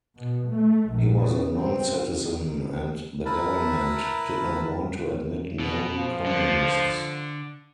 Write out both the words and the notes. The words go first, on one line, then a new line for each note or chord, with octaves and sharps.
He was a non-citizen and the government did not want to admit known communists.
B2
A3
A#1
C#3
C4
E4 A#4 B4 A5 B5
B2
F3
D3